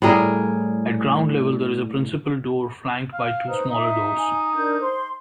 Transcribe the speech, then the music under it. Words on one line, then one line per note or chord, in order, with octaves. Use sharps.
At ground level there is a principal door flanked by two smaller doors.
A2 G3 G#4 A#4
F5
D#4 B4 C5
D#4 E5
G#5
D4 A#4 G6
C5 C6